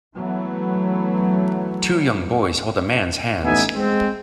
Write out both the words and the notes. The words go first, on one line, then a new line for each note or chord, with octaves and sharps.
Two young boys hold a man 's hands.
E3 F#3 A3 B3
A1 B3 D#4 E5 G#5
G#3 C4